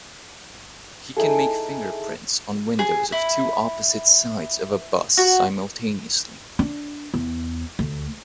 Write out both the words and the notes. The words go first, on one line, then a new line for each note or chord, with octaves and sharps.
He can make fingerprints on windows of two opposite sides of a bus simultaneously.
D#4 E4 G#4 A4
G#4
E4
F#4
D4
E2
D2